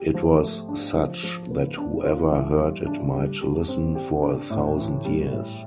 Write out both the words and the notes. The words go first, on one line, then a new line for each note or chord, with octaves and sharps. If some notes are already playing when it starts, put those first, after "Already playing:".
It was such that whoever heard it might listen for a thousand years.
Already playing: G4
F3
A3
D4
F3
F3
B3
D4
F4
E3
G3
D4
G3
G3
C4
G4
D4
A2
E3
G3
A2